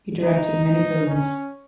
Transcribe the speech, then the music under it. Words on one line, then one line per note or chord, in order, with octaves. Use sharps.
He directed many films.
D#4
D#4
C#4